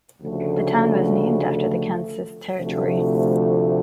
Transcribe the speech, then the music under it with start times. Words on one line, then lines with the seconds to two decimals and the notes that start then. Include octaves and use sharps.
The town was named after the Kansas Territory.
0.21 D2 C#3 F3 A3
2.57 D2 C3 F3 A3